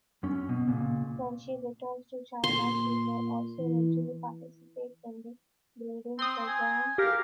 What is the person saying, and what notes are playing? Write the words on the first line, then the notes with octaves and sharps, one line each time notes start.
When she returns to China, she may also eventually participate in the breeding program.
F#2 C#4
B2
C#2 A#2
A#2 C6
E3
C4 C6 D#6
G#5
G4 A#4 F5